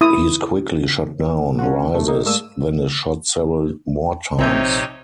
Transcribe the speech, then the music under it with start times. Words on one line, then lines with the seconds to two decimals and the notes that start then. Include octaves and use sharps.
He is quickly shot down, rises, then is shot several more times.
0.01 E4 D#6
1.59 C#4 F4 F#4
1.93 F#2 C3 A3
2.08 A#3 D#4
2.25 G#2 A3 A#3 D5 E6 D#7
4.39 A#1 C3 C4 D#4 C#5 E5 G6